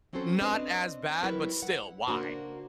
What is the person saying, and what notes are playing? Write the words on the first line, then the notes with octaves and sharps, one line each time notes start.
not as bad, but still, why?"
F#3 C4 C#4 F#4 A4 C5
C4 D4 B4 D#5
F#3 G3 E4 A#4 B4
F#5
C#3 A#3 D4 F#4 C5